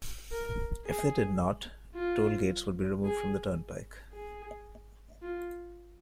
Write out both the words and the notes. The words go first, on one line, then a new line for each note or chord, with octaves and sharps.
If they did not, tollgates would be removed from the turnpike.
A#4
G#4
F4
G#4
G#4
F4